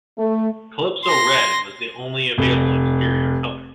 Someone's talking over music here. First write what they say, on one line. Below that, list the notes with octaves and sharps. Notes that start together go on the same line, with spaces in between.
Calypso Red was the only available exterior colour.
A3
C6 A#6
F1